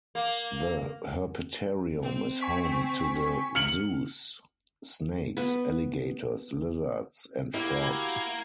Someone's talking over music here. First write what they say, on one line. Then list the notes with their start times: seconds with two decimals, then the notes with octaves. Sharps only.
The Herpetarium is home to the zoo's snakes, alligators, lizards and frogs.
0.15 A#3
2.02 C4
2.41 G#5 C#6 B6
3.55 F6 C#7 F#7
5.37 B3 B4
7.54 A#3 E4 F#4 G4 G#6